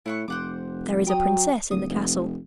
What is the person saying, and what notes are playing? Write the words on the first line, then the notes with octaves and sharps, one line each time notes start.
'There is a princess in the castle.
A2 E4 F#5 C#6
F1 C5 F#5 D6
F#3 G5 A#5 D#6
D1 D#6
F1